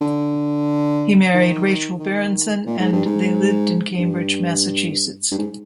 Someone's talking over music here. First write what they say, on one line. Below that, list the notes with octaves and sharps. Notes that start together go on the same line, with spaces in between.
He married Rachel Berenson, and they lived in Cambridge, Massachusetts.
D3
D#3
D#3
A#2
G#2
G2
G#2
G2
G2
G#2